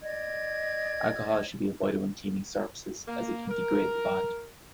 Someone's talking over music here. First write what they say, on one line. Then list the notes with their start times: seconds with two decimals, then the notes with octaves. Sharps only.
Alcohol should be avoided when cleaning surfaces, as it can degrade the bond.
0.02 D5 D#5 G#6
3.08 A#3
3.49 A#4